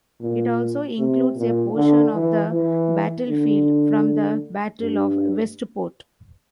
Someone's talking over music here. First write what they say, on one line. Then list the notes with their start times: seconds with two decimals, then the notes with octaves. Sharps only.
It also includes a portion of the battlefield from the Battle of Westport.
0.21 A#2
0.98 C3
1.36 A#2
1.75 D3
2.13 E3
2.51 E3
3.28 D3
4.79 G2